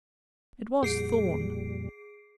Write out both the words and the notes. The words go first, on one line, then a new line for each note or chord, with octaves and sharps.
"It was Thorn."
F2 A#2 G3 G#4 C7 D7